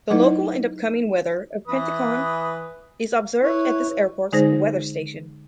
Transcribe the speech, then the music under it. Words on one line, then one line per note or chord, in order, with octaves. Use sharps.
The local and upcoming weather of Penticton is observed at this airport's weather station.
F#3 A3 D#4 E4 B4 D#5
E3 B4 D#6
E4 B4 C#5
D3 G#3 D#4 G#4 C5 A#6